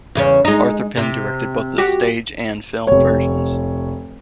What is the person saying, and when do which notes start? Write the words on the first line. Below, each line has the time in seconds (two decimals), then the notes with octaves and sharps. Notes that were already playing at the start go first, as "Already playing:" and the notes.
Arthur Penn directed both the stage and film versions.
0.15 E2 C#3 C#4
0.45 G#3 D#4
0.97 C3
1.78 F#4 G4
2.87 F1 C#5